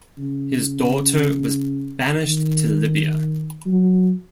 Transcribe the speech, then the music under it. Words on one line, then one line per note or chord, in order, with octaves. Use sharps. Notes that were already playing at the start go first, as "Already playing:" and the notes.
His daughter was banished to Libya.
C#3
D#3
F#3